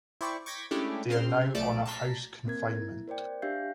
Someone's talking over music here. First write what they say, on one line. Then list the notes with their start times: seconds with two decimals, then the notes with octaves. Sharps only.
They are now on a house confinement.
0.21 E4 C5 D5 G5 C#6
0.46 C#6 D6 G6 G#6 A#6 B6
0.71 G#3 A3 C#4 D4 E4 G4
1.09 C#3 C4 C6 F6
1.55 B1 F3 A3 D5 A5 D7
1.86 A5 A#5 B6 C7
2.45 A#3 C4 A#4 G#6
2.75 E4
3.08 A#4 C5 D5 G5
3.42 D4 G4 E5 F5 G6 C7